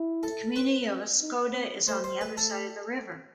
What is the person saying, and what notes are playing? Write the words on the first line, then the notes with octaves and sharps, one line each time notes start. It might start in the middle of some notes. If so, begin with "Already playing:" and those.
The community of Oscoda is on the other side of the river.
Already playing: E4
A4
B4
D#4
C4
A3 C5
C5
A3 B4
A4